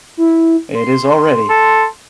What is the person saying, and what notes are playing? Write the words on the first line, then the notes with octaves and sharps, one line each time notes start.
It is already.
E4
C6
A4